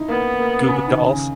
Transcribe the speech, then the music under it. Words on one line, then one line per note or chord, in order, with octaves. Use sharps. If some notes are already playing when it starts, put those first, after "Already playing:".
Goo Goo dolls.
Already playing: D#4 E4
A#3 B3
A#3
C#3
D#3
C#3